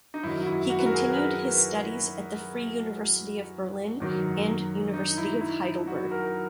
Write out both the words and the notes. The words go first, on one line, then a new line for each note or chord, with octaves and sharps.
He continued his studies at the Free University of Berlin and University of Heidelberg.
D#4
F#2 D#3 F#3 E4
F#4
E4
F#4
B4
A#4
G#4
A#4
B4
F#2 D#3 F#3
D#4
E4
E4
F#4
A#4